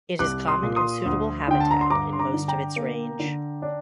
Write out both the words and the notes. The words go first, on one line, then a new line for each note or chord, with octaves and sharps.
It is common in suitable habitat in most of its range.
C2 D6 F#6
C6 D#6
A#2
C6 D#6
D2
D3 G5
A5
A#5
C6
G2 A#5 D6
C6
A#5 D6
D3
G5 A#5
A#3
D3
D4